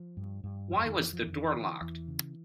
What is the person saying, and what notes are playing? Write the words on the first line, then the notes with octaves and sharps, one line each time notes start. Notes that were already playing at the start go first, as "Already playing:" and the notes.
Why was the door locked?
Already playing: F3
G2
G2
F2 F#3
D#3
F2 E3
F3
F2 E3
D#3
E3
D3
E2 E3
C#3